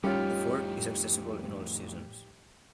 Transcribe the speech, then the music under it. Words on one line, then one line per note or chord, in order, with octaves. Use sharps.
The fort is accessible in all seasons.
F2 A2 G3 C#4 D#4 F4 G4